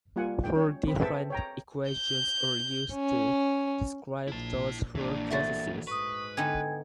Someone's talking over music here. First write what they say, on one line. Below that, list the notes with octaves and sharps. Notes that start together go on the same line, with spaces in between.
Four different equations are used to describe those four processes.
G3 A#3 F4 F#5 G#5
G5
C#4 C#5
C4 B5
G#4 A4 B4 E5 G5 A5
C#5 G5 A#5
G6
C#4
A#1 E4 A5
A#1 E3 A#3 D4
A3 F#4 C5 E5 A6
G#2 B4 C#6 D#6
D3 B3 D#4 G5 G#5 G#6